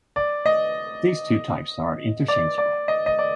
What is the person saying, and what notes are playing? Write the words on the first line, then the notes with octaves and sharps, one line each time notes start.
These two types are interchangeable.
D5
D#5
D5
D5
D#5
D#5
D5